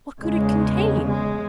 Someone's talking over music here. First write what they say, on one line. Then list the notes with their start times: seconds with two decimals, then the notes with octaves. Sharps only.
What could it contain?
0.21 E2 C#3 G#3
1.10 G#3